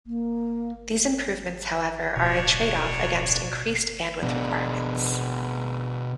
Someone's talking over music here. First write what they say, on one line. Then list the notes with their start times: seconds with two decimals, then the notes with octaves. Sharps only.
These improvements, however, are a tradeoff against increased bandwidth requirements.
0.06 A#3
2.16 D1 B2 D4 C#5
4.23 B2 D4